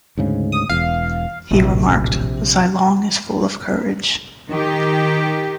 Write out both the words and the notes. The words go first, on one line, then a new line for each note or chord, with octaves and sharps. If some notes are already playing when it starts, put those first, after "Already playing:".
He remarked, Zilong is full of courage.
D2 G#2 C#3
D#6
E1 E2 F5
D1 A#1 C3
D#3 G4